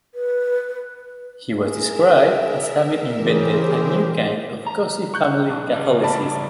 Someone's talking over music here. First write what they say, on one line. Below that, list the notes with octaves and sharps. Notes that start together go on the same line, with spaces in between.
He was described as having invented a new kind of cosy family Catholicism.
B4
G#4 A#4 E5
C#3 E3 G4 G#4 C5
A#5
C#6 F#6 G6
B1
C#3 G3
D5 A5 B5